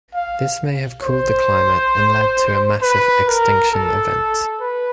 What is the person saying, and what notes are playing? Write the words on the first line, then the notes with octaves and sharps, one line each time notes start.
This may have cooled the climate and led to a massive extinction event.
F5
C5
B4
A#4
A4
B4